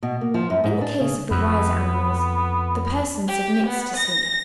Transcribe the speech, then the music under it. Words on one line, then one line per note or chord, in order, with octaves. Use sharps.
In the case of the wiser animals, the Person submits to Sleep.
B2
A#3
F3
F#2
G#2
D4
C#3
F2 B3
G4
B3
A#6